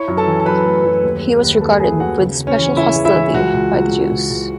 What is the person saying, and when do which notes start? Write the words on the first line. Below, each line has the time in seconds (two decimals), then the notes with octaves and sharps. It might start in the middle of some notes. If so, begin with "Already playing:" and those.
He was regarded with special hostility by the Jews.
Already playing: E4 C#5 C#6
0.08 F#2
0.17 A4 A5
0.26 E3
0.40 A5
0.46 F#2 B4 B5
0.65 A3
0.84 F#2
1.04 D#2
1.23 G#3
1.42 D#2
1.61 D#2 A4 A5
1.80 G#3 G#4 G#5
1.99 D#2 F#4 F#5
2.19 C#3
2.38 C#3
2.47 C#4 C#5
2.57 E3
2.76 C#3 E4 E5
2.96 C#3
3.05 E4 E5
3.14 E3
3.34 C#2 F#4
3.54 C#2
3.73 C#2
3.91 C#2
4.11 C#2
4.30 C#2